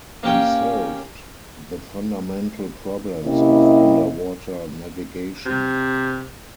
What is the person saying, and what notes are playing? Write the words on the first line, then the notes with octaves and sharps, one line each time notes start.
He solved the fundamental problems of underwater navigation.
A#3 C#4 G4 G5
C3 A#3 C#4 E4 G4 D#5
C3